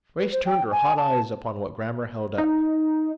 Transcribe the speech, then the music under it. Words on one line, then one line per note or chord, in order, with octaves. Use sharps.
Grace turned her hot eyes upon what Grammer held up.
B4
C5
G5
G#5
A5
D#4